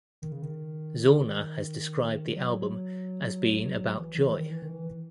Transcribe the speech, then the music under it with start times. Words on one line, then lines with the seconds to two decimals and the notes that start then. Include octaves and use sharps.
Zauner has described the album as being about joy.
0.22 D#3
0.32 C#3
0.42 D#3
2.36 F#3
3.97 E3
4.14 E3
4.32 D#3
4.51 E3
4.62 D#3
4.68 E3